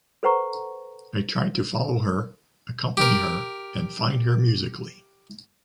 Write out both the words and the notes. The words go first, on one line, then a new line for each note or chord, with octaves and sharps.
I tried to follow her, accompany her, and find her musically.
A4 B4 C5 F#5 A#5 C#6
G4 A#4